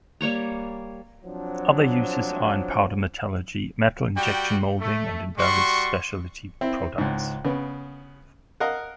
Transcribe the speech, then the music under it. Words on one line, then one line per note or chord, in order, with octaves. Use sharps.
Other uses are in powder metallurgy, metal injection molding, and in various specialty products.
G3 A#3 C#5 A#5
F3 F#3 C4 D4
G3 F#4 G5
A3
G3 F#4 C6 C#6
C4 E4
C#2 G#2
C#3 B3
A#4 D#5 F5 F#5